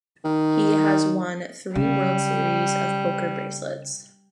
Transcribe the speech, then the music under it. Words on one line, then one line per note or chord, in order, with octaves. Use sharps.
He has won three World Series of Poker bracelets.
D#3
C#3 G3